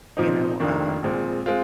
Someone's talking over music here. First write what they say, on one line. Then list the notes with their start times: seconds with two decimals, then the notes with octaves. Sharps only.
you know, um
0.17 A#2 F3 C4 D#4
0.60 F1 F2 D#3 A#3 D4
1.02 A#1 A#2 G#3 C4
1.46 G#3 C4 F4